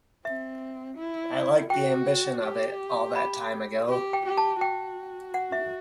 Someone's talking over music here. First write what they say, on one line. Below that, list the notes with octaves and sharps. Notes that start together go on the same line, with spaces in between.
I like the ambition of it, all that time ago.
C4 E5
E4
F#4 G5
G4
B5
G4
G5
G4
A5
F#4 G5
F#5
E5